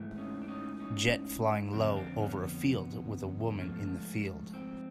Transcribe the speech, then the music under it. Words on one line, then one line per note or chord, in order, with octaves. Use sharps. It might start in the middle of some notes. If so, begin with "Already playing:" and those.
Jet flying low over a field with a woman in the field.
Already playing: G#2 E3 A3
C#4 D#4
D4
C#4 D#4
C#4 D#4
F2 D3 F3 C4 D4
C4 D4
B3 C#4
B3
G#2 F3 A3
C4